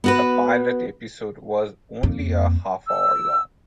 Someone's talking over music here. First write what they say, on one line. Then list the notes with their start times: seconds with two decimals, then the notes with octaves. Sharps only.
The pilot episode was only a half-hour long.
0.04 B3 F#4 B4
2.03 F2 A#3
2.87 E6